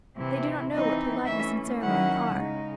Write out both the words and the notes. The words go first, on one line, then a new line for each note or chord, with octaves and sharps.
They do not know what politeness and ceremony are.
C3 E3 C4 E4
E3 C4 D#4 D#5
E3 A3 C#4 E5
D#3 F#3 C#4 E4 F#5
C#3 G#3 D#4